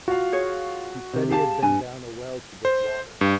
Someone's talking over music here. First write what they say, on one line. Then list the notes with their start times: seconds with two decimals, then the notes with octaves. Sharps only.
He said he had been down a well to get water.
0.08 F4 F#4 F5
0.32 G#4 C#5
1.13 C3
1.31 G4 G#4 F5 A5 E7
1.63 G2 B4 G#5
2.65 C5
3.21 G2